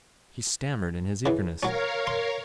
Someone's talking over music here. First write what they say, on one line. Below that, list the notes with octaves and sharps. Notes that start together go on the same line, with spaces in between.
He stammered in his eagerness.
C#3 E3
F#3 C#4 A#4 C#5 F5
C6